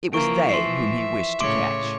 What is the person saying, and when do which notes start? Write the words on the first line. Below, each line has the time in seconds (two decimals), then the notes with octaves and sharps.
It was they whom he wished to catch.
0.13 E3 F3 A#3 C#6 D7
0.49 E5 C6 C7
1.40 A2 C#3 C#5 C6 D6 D7